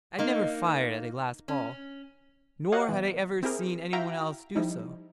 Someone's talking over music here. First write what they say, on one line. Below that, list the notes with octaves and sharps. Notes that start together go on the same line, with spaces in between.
I had never fired at a glass ball, nor had I ever seen anyone else do so.
A#3 D#4
C#4
F#4 G4 C#5 D#5 F5 F#5
B2 E3
C4 E4 G4 G#4 A#4
E4 F#4 E5 F5 G5 A#5
F3 G3 D#4 E4